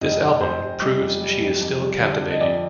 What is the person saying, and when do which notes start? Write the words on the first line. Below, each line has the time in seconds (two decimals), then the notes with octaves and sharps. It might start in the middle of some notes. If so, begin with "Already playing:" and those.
This album, proves she is still captivating.
0.01 F1 D#5
0.21 F1
0.41 F1 C5
0.61 F1
0.82 G3
1.01 F2
1.21 G3
1.41 F2
1.61 F2
1.81 G3
2.01 D3
2.21 F2
2.31 D#5
2.41 F2 D5